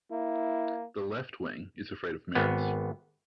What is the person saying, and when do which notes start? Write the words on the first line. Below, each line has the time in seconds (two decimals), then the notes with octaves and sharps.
The left wing is afraid of Meretz.
0.12 A#3 E4
2.35 G#1 B3